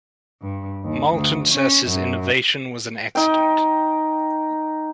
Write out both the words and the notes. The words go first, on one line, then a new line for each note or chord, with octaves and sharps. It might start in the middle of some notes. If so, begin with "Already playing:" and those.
Moulton says his innovation was an accident.
G2
D#2
D2
C#4
F#2
D#4 G5